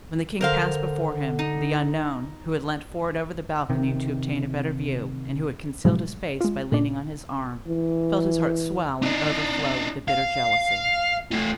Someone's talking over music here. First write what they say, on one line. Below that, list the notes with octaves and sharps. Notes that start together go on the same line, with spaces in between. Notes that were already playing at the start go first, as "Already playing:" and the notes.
When the king passed before him, the unknown, who had leant forward over the balcony to obtain a better view, and who had concealed his face by leaning on his arm, felt his heart swell and overflow with a bitter jealousy.
D3 A#4 C5 F5
D#4
C3 D#3
A2 C3 F3 F#3 G#3 E4
G#3 F4
A#2 D4
E3
D4 D#4
F5
A3 F4